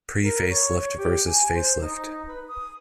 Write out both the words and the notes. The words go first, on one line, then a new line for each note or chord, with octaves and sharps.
Pre-facelift versus Facelift.
A#4
C#5
C#5
G4
G#5
C5
D#4
B4
D#6